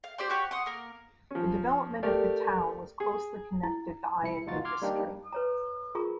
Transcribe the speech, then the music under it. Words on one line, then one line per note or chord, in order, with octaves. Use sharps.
The development of the town was closely connected the iron industry.
F5
G4 C5 D5 C6
F#4 G4 C#5
F#5 C6 D#6
A#3 A#4
F3 C#4
A3 G4 A#4 D5
G#4
E4
C2 E4 C#7
A1 D2 D#4 F4 F#4 A6
C6 D6 F6 G#6
G3 A#3 D4 D#4 G4
B4 C#5 A#5
F4 G#4 A#4 A#5 C#6